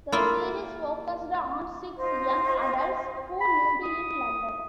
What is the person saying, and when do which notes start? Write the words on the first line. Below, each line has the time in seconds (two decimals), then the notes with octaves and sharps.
The series focused on six young adults who lived in London.
0.12 A#3 E4 F4
1.98 D#4 F4 C5 D#5
3.41 B5
3.83 D#6